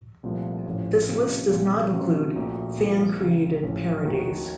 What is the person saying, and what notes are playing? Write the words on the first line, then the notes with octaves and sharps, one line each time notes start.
This list does not include fan created parodies.
C2 A#2 F3 A3
A1 A2 F3
C3 D#3 A#3 C#4 F4
C2 A#2 F3 C4
C3 F#3 A3 C#4 F#4
A#1 A#2 A3 D#4 F#4
C2 A#2 F3
C#2 C#3 F3
A1 A2 F3 A3
D#2 D#3 A3 D#4 F#4